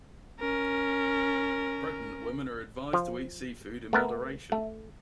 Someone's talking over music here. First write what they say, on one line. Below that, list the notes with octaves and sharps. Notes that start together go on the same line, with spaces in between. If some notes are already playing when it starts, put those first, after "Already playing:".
Pregnant women are advised to eat seafood in moderation.
C#4 A#4
F3
A3 B3 A#4
A3